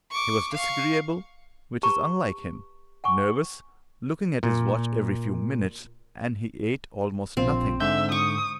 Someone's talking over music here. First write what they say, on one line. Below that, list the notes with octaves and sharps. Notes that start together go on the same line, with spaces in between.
He was disagreeable, which is unlike him, nervous, looking at his watch every few minutes, and he ate almost nothing.
C#6 D6
F5 C#6
G4 B4 A5 A#5 C#6
F#5 G#5 C#6 D6
A#2
A#1 C4 F4
G#2 D3 E5 G6
C#6 D#6